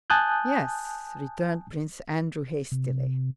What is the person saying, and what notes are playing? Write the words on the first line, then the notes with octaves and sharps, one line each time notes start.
"Yes," returned Prince Andrew hastily.
G#5 A5 D#6 F#6 G6
C3